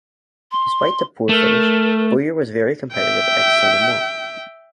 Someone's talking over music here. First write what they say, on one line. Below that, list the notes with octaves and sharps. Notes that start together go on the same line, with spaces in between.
Despite the poor finish, Bowyer was very competitive at Sonoma.
C6
A3 A#4
E5 G5